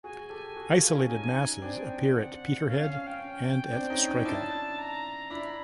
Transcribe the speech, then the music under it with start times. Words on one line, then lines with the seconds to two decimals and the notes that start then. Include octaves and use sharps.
Isolated masses appear at Peterhead and at Strichen.
0.04 F#4 G#4 G#5
0.30 G4 A4
0.56 F#4 G#4
0.74 F4 G4
0.91 C#4
1.09 C#4 D#4 G#5
1.62 C4 D4 G5
2.15 F#5
2.67 C#4 F5
2.80 F5
2.85 C#4
2.93 F5
3.07 G5
3.20 C#4
3.72 C4 D4
3.90 C#4 D#4
4.07 C#4 D#4
4.25 D4 E4 A5
4.79 A#5
5.30 D4 E4 B5